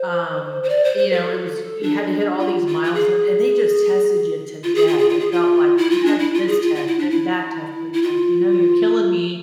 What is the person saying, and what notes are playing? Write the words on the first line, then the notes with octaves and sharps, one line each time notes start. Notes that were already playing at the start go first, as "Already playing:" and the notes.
um, you know, it was y you had to hit all these milestones and they just tested you to death. It felt like you had this test and that test, and it's like, you know, you're killing me
Already playing: C5
C5
D5
C5
C5
A4
D4
F4
F4
F4
G#4
F4
G#4
F4
G#4
F4
G#4
F4
E4
F4
D4
E4
F4
G#4
F4
F4
E4
D4
E4
E4
F4